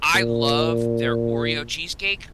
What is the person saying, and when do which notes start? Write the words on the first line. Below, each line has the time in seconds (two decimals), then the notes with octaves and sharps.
I love their Oreo cheesecake.
0.14 A#2